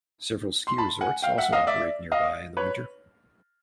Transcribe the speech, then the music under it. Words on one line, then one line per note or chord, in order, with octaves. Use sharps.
Several ski resorts also operate nearby in the winter.
C6
A5 B5
F#5 G#5
F5 G5
E5 F#5
D#5 F5
D5 E5
D#5 F5
B4 C#5